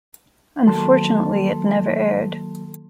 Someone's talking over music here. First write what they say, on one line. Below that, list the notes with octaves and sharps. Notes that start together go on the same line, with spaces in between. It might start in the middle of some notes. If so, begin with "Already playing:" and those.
Unfortunately it never aired.
D#3 F#3 A#3 A4 A5 C6